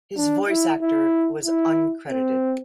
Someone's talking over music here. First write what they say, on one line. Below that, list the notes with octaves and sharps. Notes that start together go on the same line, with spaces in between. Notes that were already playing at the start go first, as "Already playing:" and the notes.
His voice actor was uncredited.
D4
E4
E4
E4
C4